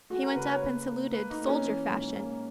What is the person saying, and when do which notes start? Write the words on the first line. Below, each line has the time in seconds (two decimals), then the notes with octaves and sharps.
He went up and saluted, soldier-fashion.
0.10 G#3 F#4
0.23 A#4
0.36 C#3 B4
0.49 C#5
0.62 A#3 B4
0.87 A#3
1.13 A#3 B4
1.30 D#4
1.39 A#3
1.47 C#4
1.64 E3
1.90 G#2
2.16 A#3